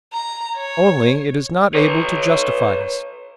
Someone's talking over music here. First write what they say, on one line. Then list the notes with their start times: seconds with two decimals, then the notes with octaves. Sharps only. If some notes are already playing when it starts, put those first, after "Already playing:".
Only it is not able to justify us.
0.13 A#5
0.57 C#5
1.75 B4 C#5